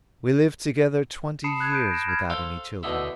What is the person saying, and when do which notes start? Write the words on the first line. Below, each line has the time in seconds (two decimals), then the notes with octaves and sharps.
We lived together twenty years, without any children.
1.44 A5 B5 D#6 C7 C#7 E7
1.60 F#6 G#6
1.72 B5 F#6 G6 D7 D#7
1.91 A#6 E7
2.08 B5 F6 G6 G#6
2.30 A4 C5 F5
2.83 B2 D3 D#4 E4